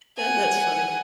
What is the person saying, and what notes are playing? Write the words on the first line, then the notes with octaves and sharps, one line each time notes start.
Yeah, that's funny.
F#5 G#5